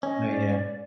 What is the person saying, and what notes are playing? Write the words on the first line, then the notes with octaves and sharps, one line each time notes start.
Oh yeah.
C#4 D#5
D5